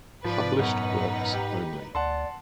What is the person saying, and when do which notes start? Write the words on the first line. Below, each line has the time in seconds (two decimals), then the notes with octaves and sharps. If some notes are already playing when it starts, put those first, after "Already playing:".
Published works only.
0.24 G#2 F3 B4 D5
0.59 F#2 B2 D#4 B4 F#5
1.34 G4
1.95 D2 D5 F#5 A5 C6